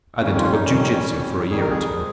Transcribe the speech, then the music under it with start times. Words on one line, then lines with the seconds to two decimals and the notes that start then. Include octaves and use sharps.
I then took up jiu-jitsu for a year or two.
0.22 F2 D#3 G3 C#4
0.38 F4
0.52 D#4
0.65 F2 D#3 G3 C#4
1.08 F2 D#3 G3
1.50 F2 D#3 G3 G#4
1.60 A#4
1.70 G#4
1.93 F3 G#3